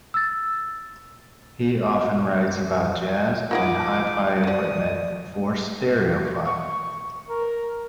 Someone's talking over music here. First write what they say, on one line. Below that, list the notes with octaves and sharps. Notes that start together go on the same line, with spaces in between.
He often writes about jazz and hi-fi equipment for "Stereophile".
E6 A6
A#3 D#4 F4 G#4 B4 F#5 D6
F3 F#3 D5 D#6
C#6
A#4